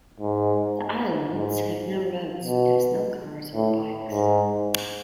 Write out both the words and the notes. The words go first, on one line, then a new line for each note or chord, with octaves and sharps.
The islands have no roads, thus no cars or bikes.
G#2
G#2
B2
A2
G#2